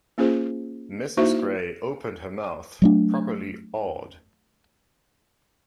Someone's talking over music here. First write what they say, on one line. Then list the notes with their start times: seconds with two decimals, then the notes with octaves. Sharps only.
Mrs. Gray opened her mouth, properly awed.
0.18 A#3 C#4 F4 G#4 C5
1.17 A#3 D#4 E4 F#4 C5 E5
2.82 F#3 A3 D4